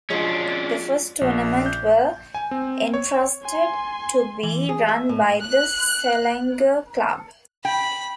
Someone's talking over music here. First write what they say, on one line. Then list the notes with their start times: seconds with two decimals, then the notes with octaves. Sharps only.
The first tournament were entrusted to be run by the Selangor Club.
0.10 F3 F#3 G#3 C#4 D4
1.21 A#1
1.66 G6
2.35 G#5
2.51 C4
2.94 C#5
3.42 G#5 C6
4.43 E3
4.69 G#4
4.89 E5
5.09 A2
5.45 F#6
7.65 G5 B5